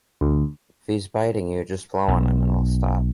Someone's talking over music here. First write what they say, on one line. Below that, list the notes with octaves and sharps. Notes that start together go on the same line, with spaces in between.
If he's biting you, just blow on him and he'll stop.
D2
B1